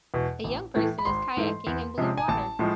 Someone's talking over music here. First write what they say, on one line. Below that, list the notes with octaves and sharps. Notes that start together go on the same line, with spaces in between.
A young person is kayaking in blue water.
E2 B2
A1
A2 E3 A3
B5
G#1 C6
G#2 E3 A3
E2
C3 F3 G#3
G#5
A1 A5
A2 F3 G#3